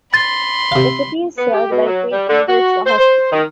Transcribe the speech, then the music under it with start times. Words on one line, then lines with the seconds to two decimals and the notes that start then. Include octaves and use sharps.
The city is served by Queen Ingrid's Hospital.
0.14 B5 C6 A6
0.72 C3 F5
1.38 B3
1.53 G4
1.71 B2
1.87 F#3
2.12 G3
2.29 D3
2.48 F#4
2.85 C5
2.98 C5
3.32 D#3